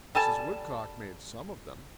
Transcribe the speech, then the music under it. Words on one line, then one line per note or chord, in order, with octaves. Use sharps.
"Mrs. Woodcock made some of them."
G3 A4 G#5 A5